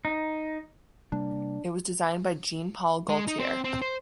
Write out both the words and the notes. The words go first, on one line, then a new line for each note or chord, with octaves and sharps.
It was designed by Jean Paul Gaultier.
D#4
C3 G3 A#3 D4
G#3
D#4
C4
C4
C5